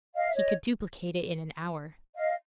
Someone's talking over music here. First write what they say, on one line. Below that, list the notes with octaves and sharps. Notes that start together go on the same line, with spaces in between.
He could duplicate it in an hour.
D#5 F5
E5
C#5 D#5
D#5 F5